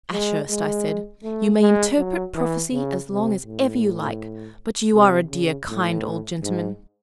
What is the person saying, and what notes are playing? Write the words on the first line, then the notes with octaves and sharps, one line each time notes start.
Ashurst,' I said, 'you may interpret prophecy as long as ever you like, but you are a dear kind old gentleman.
G#3
G#3
A3
G#3
F#3
E3
C#3
C3
A2
C3
C#3
A2
G#2